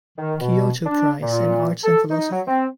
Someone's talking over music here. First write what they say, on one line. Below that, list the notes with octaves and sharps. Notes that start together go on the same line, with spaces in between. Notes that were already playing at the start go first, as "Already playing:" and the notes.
Kyoto Prize in Arts and Philosophy.
D#3
B2
D4
A#2
A4
D#4
F#3
C4